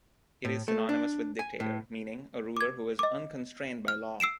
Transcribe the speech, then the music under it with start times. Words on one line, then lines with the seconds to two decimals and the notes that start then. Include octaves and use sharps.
It is synonymous with 'dictator,' meaning 'A ruler who is unconstrained by law.
0.45 A2
0.68 A3
0.89 D4
1.39 G#5
1.60 A2
2.57 D6 G#6
2.99 D#5 D6
3.88 F6
4.20 E6 C7 D7 E7